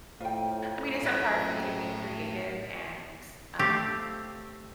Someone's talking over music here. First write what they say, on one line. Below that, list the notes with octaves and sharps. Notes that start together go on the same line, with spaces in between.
I mean, is it hard for you to be creative and, um,
F2 A2 F4 G5
F#2 A2 E4 B4 G5
A3 C4 G4 F5